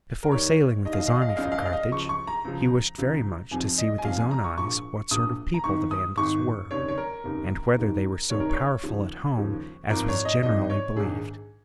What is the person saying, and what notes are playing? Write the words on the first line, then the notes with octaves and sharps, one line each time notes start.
Before sailing with his army for Carthage he wished very much to see with his own eyes what sort of people the Vandals were and whether they were so powerful at home as was generally believed.
A#4
D#2 D#3 C#5
D#2 D#3 D#5 F5
D#5
F5
D#5
F5
D#5
C#2 C#3 F3 F5
D#5
F5
D#5
F5
D#5
C#2 C#3 F3 C#6
C#6
A#5
C#2 C#3 F3
C#2 C#3 F3
F1 F2 F3 G#5
D#5
G#5
F1 F2 F3 F5
G#5
A#5
C#6
A#1 A#2 F3 C#6
A#1 A#2 F3 D#6
A#5
G#1 G#2 D#3 C#6
D#6
G#1 G#2 D#3 C#6
F1 D#2 C#3 C#5
C#5
A#4
F1 D#2 C#3
F1 D#2 D#3
F1 D#2 D#3 C#5
A#4
C#5
D#2 C#3 F3
D#2 C#3 F3
G#1 G#2 F3 A#4
C#5
D#5
G#1 G#2 F3 D#5
C#5
A#1 G#2 D#3 G#4